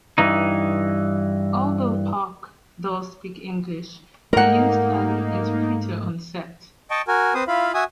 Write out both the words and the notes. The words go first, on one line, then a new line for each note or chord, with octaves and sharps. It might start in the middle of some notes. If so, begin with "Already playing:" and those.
Although Park does speak English, he used an interpreter on set.
G2 E3 D#4
G#2 A3 A#3 D#4 A#4 F#5
D#5 G5 A5 C#6
F#4 A#4 G#5
C4 B4 C5 D#6
E4 F4 F5 B5
F#4 E5 G#5 D#6